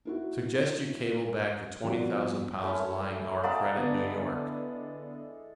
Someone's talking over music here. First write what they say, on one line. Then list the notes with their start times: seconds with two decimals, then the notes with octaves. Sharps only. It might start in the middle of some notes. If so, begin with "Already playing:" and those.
Suggest you cable back the twenty thousand pounds lying our credit New York.
0.05 D#4 E4 F#4
1.83 G#1 F3 G3 B3 F#4 D5
2.62 A3 C#4 E4
3.43 G#3 A4 D5 F5 F#5 A#5
3.76 D3 B3